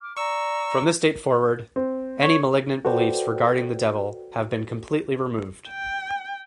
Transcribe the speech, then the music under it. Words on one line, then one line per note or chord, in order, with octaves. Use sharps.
From this date forward, any malignant beliefs regarding the devil have been completely removed.
D6 F6
D5 A#5 C#6 E6
C4
C#5
F#4 A4 B4 C5 D5 G5
G5